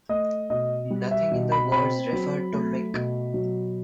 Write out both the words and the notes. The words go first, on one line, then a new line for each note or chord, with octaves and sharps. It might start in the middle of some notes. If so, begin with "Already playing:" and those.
Nothing in the words referred to Mick.
A3 D#5
B2 D#5
G3
E5
B2
B5
C4 B5
F#3
A3
B2
F#3